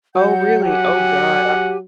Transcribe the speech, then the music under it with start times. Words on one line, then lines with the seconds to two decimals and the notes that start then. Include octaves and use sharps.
Oh, really? Oh, god. Uh,
0.15 F#3 F#5 G6
0.64 G4 F#5 G#5